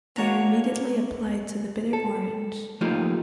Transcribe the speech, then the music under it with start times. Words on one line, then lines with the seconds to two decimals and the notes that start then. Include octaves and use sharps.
They are immediately applied to the bitter orange.
0.17 A#3 D4 F#4 C#5 A#5
1.93 A4
2.81 F3 A3 A#3 D#4 F4 G4